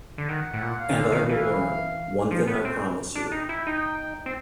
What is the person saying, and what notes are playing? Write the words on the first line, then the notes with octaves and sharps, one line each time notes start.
And I will learn — One thing I promise you.
D3
D#3 F#5
A2
A#2
F5
D#3
D3
D#3
E3 F5
F3
B3
C4
D4
D#4 G5
E4
D#4
C4